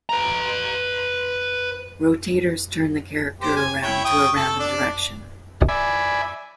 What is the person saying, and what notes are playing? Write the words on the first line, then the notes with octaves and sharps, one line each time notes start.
Rotators turn the character around to a random direction.
B4 A#5
G4 C5
G#5
E4 C#5 G5
G5 C#6 D#6
A4
D4 D5
D5 E5 G#5 B5